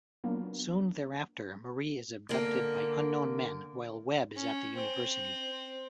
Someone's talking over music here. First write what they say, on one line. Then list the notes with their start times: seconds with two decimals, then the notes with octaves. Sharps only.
Soon thereafter, Marie is abducted by unknown men while Webb is at the university.
0.24 F#3 A#3 B3 D4 F4
2.29 D3 A#3
4.36 C#4
4.75 C4